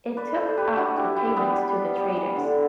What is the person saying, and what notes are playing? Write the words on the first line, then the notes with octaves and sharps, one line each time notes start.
It took out the payments to the traders.
B4 D5
A4 C5
G4 B4
D4 F#4
E4 G4
E4 G4
G3 B3
G3
G3
E3
D3